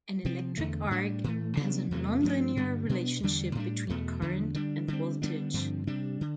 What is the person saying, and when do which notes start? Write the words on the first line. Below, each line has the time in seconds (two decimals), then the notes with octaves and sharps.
An electric arc has a non-linear relationship between current and voltage.
0.25 C3 F3 C4
0.57 E2 D3 A3
0.91 A2 G3 D4
1.24 A2 E3 A3
1.57 C3 F3 B3 D4
1.91 E2 C3 E3 A3
2.24 G2 F3 A3 D4
2.56 G2 D3 G3 B3
2.89 B2 B3 D4
3.23 E2 D3 G3 D4
3.55 A2 G3 D4
3.89 E2 B2 A3
4.22 E2 D3 F3
4.55 D3 G3 D4
4.88 D3 G3 C4
5.22 D3 G3 B3 D4
5.54 G2 D3 F3 C4
5.87 C3 G3 D4
6.21 D3